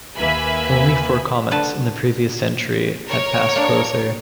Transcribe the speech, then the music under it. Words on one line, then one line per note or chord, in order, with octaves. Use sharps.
Only four comets in the previous century had passed closer.
D#2 A#3 B4 E5 G#5 B5
D3 B4 A5
A#4 C#5
A#3 D4